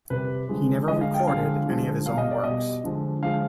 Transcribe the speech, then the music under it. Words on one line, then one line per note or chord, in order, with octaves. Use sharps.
He never recorded any of his own works.
C3 G3 B4
D3 F3 G#3
D3 F3 G#3 D#5
F5
G5
D3 F3 G#3 F5
D3 F3 G#3
B2 G3 F5
D#5
D5
B2 D#5
G3
D3 F3 G#3
D3 F3 G#3 F5